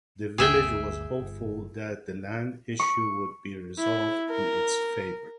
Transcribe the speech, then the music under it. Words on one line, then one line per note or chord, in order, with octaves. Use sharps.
The village was hopeful that the land issue would be resolved in its favour.
G1 D2 G#4 E5 G5
G1
C#6
E4
A#4